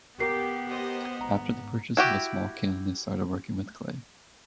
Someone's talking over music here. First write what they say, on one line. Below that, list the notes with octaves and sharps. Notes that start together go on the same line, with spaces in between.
After the purchase of a small kiln they started working with clay.
B3 G4 A#4 C7
G4 C5 D#5
G#1 A#5
E4 F#4 G4